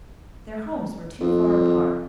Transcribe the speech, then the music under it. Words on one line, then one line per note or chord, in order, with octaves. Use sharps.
Their homes were too far apart.
F2